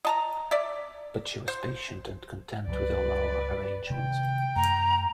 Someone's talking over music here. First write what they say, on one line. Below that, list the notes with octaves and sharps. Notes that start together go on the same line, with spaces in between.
But she was patient and content with all our arrangements.
D#5 A5 A#5
D5 E5
C5
C#2 G2 F#3 B4 D5
C3 D#3 G#3 G5
F#2 A3 A#5